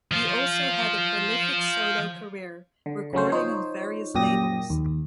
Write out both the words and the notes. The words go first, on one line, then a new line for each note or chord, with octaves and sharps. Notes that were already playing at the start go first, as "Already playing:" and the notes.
He also had a prolific solo career, recording on various labels.
F3 F4
D3
C#3 F#3 C#4 C5
F3 D#4 C5 C#5
F#2 A#2 G4 D#6 A#6
D#2